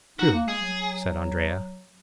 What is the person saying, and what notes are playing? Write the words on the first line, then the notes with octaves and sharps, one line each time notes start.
"True," said Andrea.
D#4 F#4
A#3
G#3 G#4
F#3